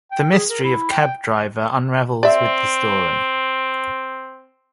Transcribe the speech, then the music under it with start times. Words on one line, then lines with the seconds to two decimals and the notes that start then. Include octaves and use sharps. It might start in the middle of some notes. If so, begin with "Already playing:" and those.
The mystery of cab driver unravels with the story.
0.11 G5
0.32 G#4
0.50 A#4
0.64 E4
0.91 G5
2.23 C4 D5 E5